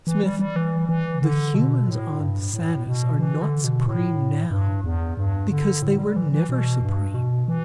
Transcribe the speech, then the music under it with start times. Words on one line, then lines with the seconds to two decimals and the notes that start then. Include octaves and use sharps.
"Smith, the humans on Sanus are not supreme now because they were NEVER supreme."
0.07 E3
0.24 G3
0.39 G3
0.56 E3
0.89 E3
1.22 D3
1.55 B2
1.88 A2
2.20 G2
2.54 A2
2.87 B2
3.19 E3
3.42 D3
3.64 B2
3.86 A2
4.51 G2
4.84 E2
5.17 G2
5.51 D3
5.82 A2
5.99 G3
6.16 E3
6.32 E3
6.49 B2
6.82 G2
7.14 B2
7.48 E3